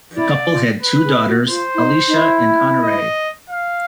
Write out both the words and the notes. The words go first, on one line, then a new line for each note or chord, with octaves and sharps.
The couple had two daughters, Alicia and Honoree.
E4 D5
F4
B4
G#4
F#4
F4 C5
E4
D#4
D#4
E4
D#5
F5